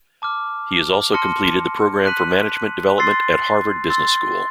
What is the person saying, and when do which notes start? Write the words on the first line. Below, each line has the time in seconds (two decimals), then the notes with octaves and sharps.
He has also completed the Program for Management Development at Harvard Business School.
0.22 A5 D6 F6
1.14 A5 C6 F6 A#6 C#7
2.05 F#6 B6 D#7 F#7
2.98 C6 E6 A6 C7
3.90 C6 E6 A6